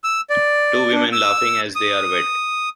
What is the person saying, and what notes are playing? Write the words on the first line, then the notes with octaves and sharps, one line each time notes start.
Two women laughing as they are wet.
E6
D5
D4
E6
D#6